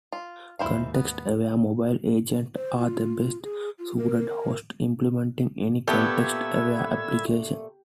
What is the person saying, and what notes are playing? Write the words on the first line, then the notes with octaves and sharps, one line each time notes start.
Context-aware mobile agents are a best suited host implementing any context-aware applications.
F4
D#2 G#2 E4 C5 F5
B3
C5
F4
G#4
F4
A#4
A#2 A3 B3 G4 A4 B5 E6 G#6